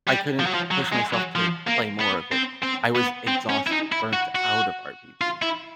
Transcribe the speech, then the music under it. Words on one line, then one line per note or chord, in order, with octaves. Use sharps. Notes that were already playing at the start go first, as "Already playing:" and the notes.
I couldn't push myself to play more of it. I was exhausted, burnt out of RPGs.
G3
F3
F#3
F3
F#3
G#3
F#3
F3
A#3
B3
C4
C4
B3
C4
C#4
E4
D#4
E4
F#4
F#4
F4
E4